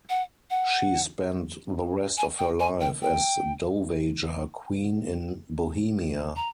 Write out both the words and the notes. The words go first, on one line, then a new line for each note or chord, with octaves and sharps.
She spent the rest of her life as Dowager Queen in Bohemia.
F#5
F#5
G#5
G5
G#5
G5
G5
A#5